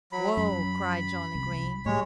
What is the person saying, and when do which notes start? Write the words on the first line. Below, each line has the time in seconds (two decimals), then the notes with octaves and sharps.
"Whoa!" cried Johnnie Green.
0.12 F#3 B5
0.37 F#2 B5
1.35 C2
1.86 A2 G3 G#3 C#5